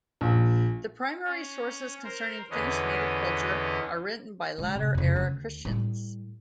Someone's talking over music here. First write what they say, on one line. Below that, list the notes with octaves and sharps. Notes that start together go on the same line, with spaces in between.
The primary sources concerning Finnish native culture are written by latter-era Christians.
A#1
C#4
A#4 C5
E2 D3 B3 C#4 D#5
D3 G#3
C3
F2 C#3
D2 C#4
A2 G3